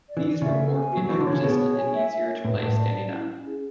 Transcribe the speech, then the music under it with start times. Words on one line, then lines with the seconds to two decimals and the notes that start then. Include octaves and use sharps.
These were more feedback resistant and easier to play standing up.
0.08 D5
0.17 E3
0.25 D5
0.42 C#3 E5
0.58 A4
0.75 G#5
0.93 F#3 F#4
1.09 E3 D4
1.20 D3
1.26 C#5
1.32 C#3
1.43 B2 G#4
1.60 C#5
1.77 G#5
1.94 E5
2.11 E5
2.28 C#5
2.45 A2 B4
2.54 G#2
2.61 A2 A5
2.78 D5
2.95 C#4
3.12 E4
3.29 C#4
3.46 G#4